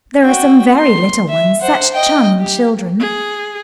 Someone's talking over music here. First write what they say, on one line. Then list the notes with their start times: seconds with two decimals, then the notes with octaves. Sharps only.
There are some very little ones--such charming children.
0.24 F#4 G5
0.79 C6
1.29 E5
1.62 C5 F#5
1.93 D#5 G5
2.40 G4
3.00 G#4